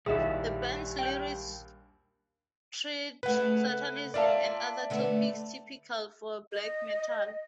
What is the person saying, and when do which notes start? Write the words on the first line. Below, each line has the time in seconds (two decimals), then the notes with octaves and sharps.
The band's lyrics treat Satanism and other topics typical for black metal.
0.06 A#1 D#2 G3 E4 F#4 G#4 D#5 E5
0.99 G5 G6
3.23 C#3 A3 B4 F#5
4.14 A#3 F4 D5 E5 A5
4.90 D3 A3 B3
6.53 D#5